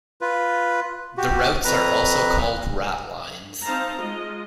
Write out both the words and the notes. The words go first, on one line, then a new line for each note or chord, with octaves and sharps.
The routes are also called ratlines.
F4 B4
F#4 G4
F2 B4 A#5
C4 D#4 C5 F5 A5 A#5
G#3 F4 D#5